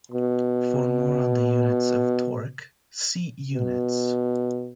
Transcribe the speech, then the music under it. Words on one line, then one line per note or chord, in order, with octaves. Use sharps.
For more on the units of torque, see Units.
B2
B2